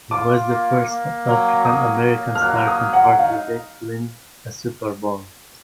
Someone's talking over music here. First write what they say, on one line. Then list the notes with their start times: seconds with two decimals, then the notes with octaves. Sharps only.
He was the first African-American starting quarterback to win a Super Bowl.
0.11 F4 D6
0.49 A#3
0.88 A#3
1.26 F#3
1.65 A#3 D#6
2.03 A#3
2.35 F6
2.41 F#3 F#6
2.67 D#6
2.80 F#3
2.93 F#5
3.19 D#4 F5